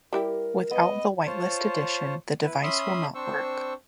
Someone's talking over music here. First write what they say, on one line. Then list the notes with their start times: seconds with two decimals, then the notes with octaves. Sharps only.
Without the whitelist addition, the device will not work.
0.13 G3 E4 G4 A#4
0.71 B3 D#5
1.26 F4 C5 C#5 A5
2.44 E4 B4
2.63 C#4 E5 B5 C6 D#6
3.15 C4 D4 C5 C#6 E6